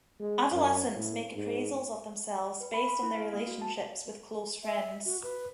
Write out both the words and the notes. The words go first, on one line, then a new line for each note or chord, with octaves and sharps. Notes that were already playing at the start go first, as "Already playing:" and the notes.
Adolescents make appraisals of themselves based on their relationships with close friends.
G#3
F#2
A2
G#2
B4
B5
C6
E4
F5
A#3
F#4
A5
E5
F#4
B4